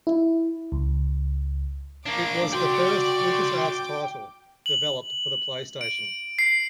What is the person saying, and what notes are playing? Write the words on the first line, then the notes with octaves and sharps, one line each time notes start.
It was the first LucasArts title developed for the PlayStation.
E4
C#2
A#3 D4 D6
F#4 D5 G5 C6
F#7
D7
C7